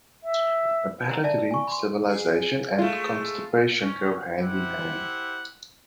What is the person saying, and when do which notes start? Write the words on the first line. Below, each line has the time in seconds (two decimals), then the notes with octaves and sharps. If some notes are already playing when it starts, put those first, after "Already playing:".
Apparently civilization and constipation go hand in hand.
0.24 E5
1.08 B4 E5 F#5 A#5
1.24 D5 E5 A5
1.38 B4
1.51 G#5 C#6
1.67 B5 C6
2.09 G#4
2.78 G#3 A3 F4
3.81 C#4
4.39 E4 G4 C5 E5 F#5